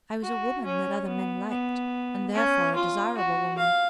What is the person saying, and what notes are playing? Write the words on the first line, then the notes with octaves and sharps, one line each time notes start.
I was a woman that other men liked, and therefore a desirable woman.
F#4
C#4
B3
B3
C#4
F4
F#4
F5